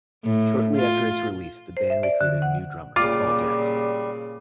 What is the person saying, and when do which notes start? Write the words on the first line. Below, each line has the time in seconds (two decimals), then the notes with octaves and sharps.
Shortly after its release the band recruited a new drummer, Paul Jackson.
0.24 A2
0.76 F4
1.77 C5
1.90 E5
2.03 D5
2.21 D3
2.42 F#5
2.96 A#2 C#3 G3 F4 D6